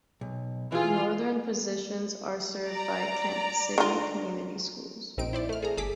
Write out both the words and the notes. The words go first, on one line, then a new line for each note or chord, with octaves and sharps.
Northern portions are served by Kent City Community Schools.
B1
E3 F4 G#4
D5 A#5
D3 F4
A#1 C4 D#4 D7
E4 C5 D5
A3 F6
G#4 A4 A#5
G1 G#4 A4 D6 B6